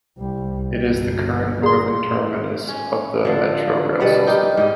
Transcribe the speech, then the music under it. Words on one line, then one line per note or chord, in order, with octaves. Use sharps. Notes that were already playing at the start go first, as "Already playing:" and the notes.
It is the current northern terminus of the Metrorail system.
C2 G3
G1
G#4 C6
C#4
D3 F3
B2 G3 B4 F#5
D#4 G4 A#4 G5
G#2 D#5